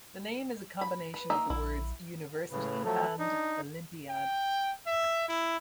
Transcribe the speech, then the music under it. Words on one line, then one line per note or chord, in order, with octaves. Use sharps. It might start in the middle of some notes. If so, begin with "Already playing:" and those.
The name is a combination of the words "University" and "olympiad".
B5
B4
A#3 D#4 E5
A#1 E4
A2 C#3 B4
F3 F#3 A3 A4
D4 D#4
G5
E5
E4